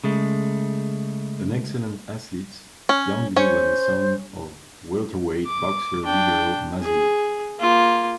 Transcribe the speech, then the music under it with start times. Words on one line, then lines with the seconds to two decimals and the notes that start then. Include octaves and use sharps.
An excellent athlete, young Lee was the son of welterweight boxer Libero Mazzilli.
0.04 C#3 G#3 A3
2.89 C#4
3.36 C#4 C5 C#5
5.47 D6
6.04 D4 G5
6.82 G#4
7.60 A#3 F4